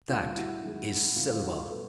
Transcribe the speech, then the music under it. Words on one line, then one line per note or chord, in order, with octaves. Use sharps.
That is silver!
D2 D3 G3 F4
E4 F#4
F#2 D#3 G#3
C2 C3 D#3 F4
F4
E4 F#4
F4
B2 G3 A4 B4